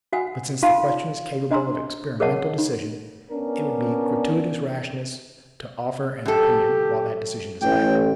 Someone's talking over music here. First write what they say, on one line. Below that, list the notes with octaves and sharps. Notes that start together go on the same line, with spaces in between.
But since the question is capable of experimental decision, it would be gratuitous rashness to offer an opinion while that decision is lacking.
F#4 F#5 G#5
D#4 F4 F5 A5 C6
D4 D#5 G#5 A#5 C6 E6
G#4 A#4 C#5 D#5 F#5 A5
D#4
B3 C#4 D4 A#4
F#2 G4 A4
A1 G5